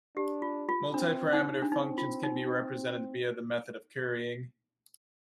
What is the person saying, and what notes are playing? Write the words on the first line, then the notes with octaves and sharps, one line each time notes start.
Multi-parameter functions can be represented via the method of currying.
D4 G4
F4
F4
C4 D4
D#4
D4
C4 D#4
F4
D#4